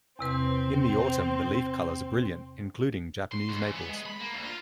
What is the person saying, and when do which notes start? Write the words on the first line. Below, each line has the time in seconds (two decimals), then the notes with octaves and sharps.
In the autumn, the leaf colours are brilliant, including Japanese maples.
0.19 E2 C3 C4 B4
3.32 C6
3.50 C#2
3.62 E3
3.75 B3
3.89 G#3
4.05 B5
4.20 A#3
4.34 D2
4.45 F4